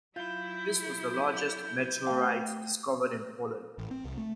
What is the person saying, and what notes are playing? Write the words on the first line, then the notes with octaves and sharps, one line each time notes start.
This was the largest meteorite discovered in Poland.
F#3 E4 F4 G6
A3 F5 G5
A1
C4
C2
A3